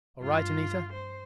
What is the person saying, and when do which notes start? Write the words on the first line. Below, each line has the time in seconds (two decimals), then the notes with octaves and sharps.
"All right, Anita?"
0.20 G2 F4
0.94 C5